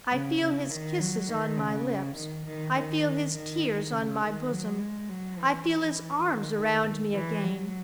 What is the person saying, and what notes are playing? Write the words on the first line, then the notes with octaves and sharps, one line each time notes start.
I feel his kisses on my lips; I feel his tears on my bosom; I feel his arms round me again.
C#3
C#3
D#3
F#3
D#3
C#3
D#3
D#3
D#3
D#3
C#3
D#3
F#3
G#3
F#3
E3
D#3
D#3
E3
F#3